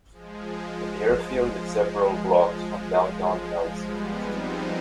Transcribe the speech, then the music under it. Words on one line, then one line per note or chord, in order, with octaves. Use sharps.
The airfield is several blocks from downtown Nelson.
F3 G#3
G3 B3
C4 D#4